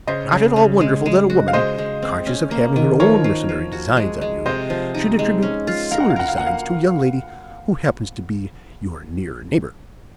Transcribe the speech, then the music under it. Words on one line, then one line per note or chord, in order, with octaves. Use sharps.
It's not at all wonderful that a woman, conscious of having her own mercenary designs on you, should attribute similar designs to a young lady who happens to be your near neighbor.
C#3 C5 D#5
C#3
C#3
G#3
G#3
F#4
F5
G#3 C5 D#5
G#3
C4
C#4
A#3
D#3
F3 A#4 C#5
F3
F3
F#4
G#3
G#3
C3 C5 D#5
F3
D#4
G#3
C#4
F4
A#4 F5
F#5
F5
A#4 F#5
F5
A#3 F#5
F5